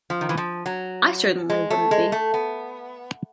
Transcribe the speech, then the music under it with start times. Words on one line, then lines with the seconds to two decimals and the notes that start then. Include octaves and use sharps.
I certainly wouldn't be.
0.10 F3
0.21 D#3
0.29 E3
0.37 F3
0.66 F#3
1.50 G#3
1.70 A3
1.91 G#3
2.12 A3
2.34 B3